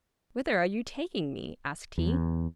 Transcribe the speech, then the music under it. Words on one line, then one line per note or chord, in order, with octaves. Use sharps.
"Whither are you taking me?" asked he.
E2